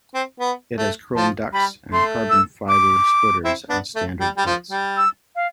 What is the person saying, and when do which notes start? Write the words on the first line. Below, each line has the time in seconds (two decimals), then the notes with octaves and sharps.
It has chrome ducts and carbon fiber splitters as standard parts.
0.14 C4
0.40 B3
0.78 A3
1.15 F3 A5
1.53 G3 B5
1.92 A3 C6
2.30 E6
2.68 D6
3.45 C4 E4
3.69 B3 D4
3.95 A3
4.20 G3
4.37 G3
4.46 F3
4.71 G3
4.97 E6
5.35 F5